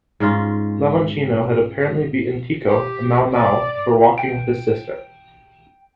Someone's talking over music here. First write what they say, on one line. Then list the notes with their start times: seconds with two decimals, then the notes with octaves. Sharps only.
Lavonchino had apparently beaten Tico, a Mau Mau, for walking with his sister.
0.20 G#2 G#3 C#4 F4
2.67 G4
3.33 D5
4.18 G5 D7